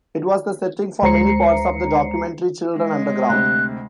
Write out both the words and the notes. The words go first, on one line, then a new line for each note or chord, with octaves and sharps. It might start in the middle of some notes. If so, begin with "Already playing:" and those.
It was the setting for many parts of the documentary Children Underground.
D2 G#3 C5 A#5 C7 C#7
G#3
D2 C3 F#6